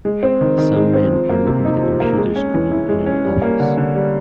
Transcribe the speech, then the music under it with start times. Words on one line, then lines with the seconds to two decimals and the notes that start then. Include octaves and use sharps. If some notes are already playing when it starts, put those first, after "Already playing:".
Some men are looking at a computer screen in an office.
0.05 G#3
0.23 C4
0.41 D#3
0.58 D#3
0.76 G#3
0.93 C4
1.11 F3
1.29 A#3
1.47 C3
1.65 D#4
1.82 F3
2.00 A#3
2.17 G#3
2.36 C#4
2.54 E3
2.71 E4
2.89 G#3
3.06 C#4
3.25 G3
3.42 A#3
3.60 D3
3.77 D3
3.96 G3